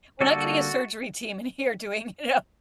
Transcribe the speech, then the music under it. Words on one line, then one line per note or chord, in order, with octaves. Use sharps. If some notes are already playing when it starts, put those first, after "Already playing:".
We're not getting a surgery team in here doing you know
D3 G3 A#3 F#4 A4